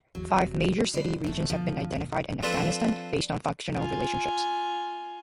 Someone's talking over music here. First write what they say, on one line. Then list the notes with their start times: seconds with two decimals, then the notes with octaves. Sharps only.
Five major city regions have been identified in Afghanistan based on functional relationships.
0.15 G#1 E2 F#3
0.33 F1 E2 C3
0.94 D3 F3 G3 B4 C5 D5
1.24 F#1 F2 C3 A3
1.50 D2 B2 D3 F3
1.96 D2 A#2
2.43 F3 C4 D4 A4 B4
3.77 F4 G#5